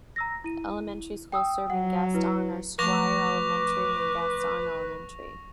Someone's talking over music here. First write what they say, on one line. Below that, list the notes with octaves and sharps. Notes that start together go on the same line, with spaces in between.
The elementary schools serving Gaston are Squire Elementary and Gaston Elementary.
A#5 E6 A#6
E4 D#7
G5 D#6 E6
F#3 F#5
E4 B4
F3 A3 B4 C#6 D6 A#6 F7